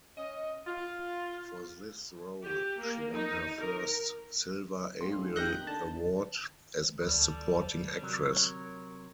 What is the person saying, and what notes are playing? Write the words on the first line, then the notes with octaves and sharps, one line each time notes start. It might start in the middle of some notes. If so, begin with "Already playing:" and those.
For this role, she won her first Silver Ariel Award, as Best Supporting Actress.
C#4 D#5
F4
G4
A#3
D#4
A#4
F1 C6
A#3 D#4 G4 F#6 G6 A#6
D3 A5
D2 G3 A4 D5
C3 F#3 A#4 C#5